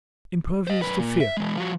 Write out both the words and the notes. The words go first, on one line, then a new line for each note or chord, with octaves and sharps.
Impervious to fear!
C5 D#5
F#2 B4
A#2
E5
E3 G#3
F3 F#4